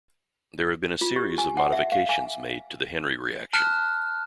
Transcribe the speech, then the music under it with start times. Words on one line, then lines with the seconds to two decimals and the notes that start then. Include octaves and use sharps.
There have been a series of modifications made to the Henry Reaction.
1.01 F4
1.16 G4
1.38 G#5
1.57 F#5
1.72 E5
1.92 F5
2.09 G#5
3.53 A5 F6 F#6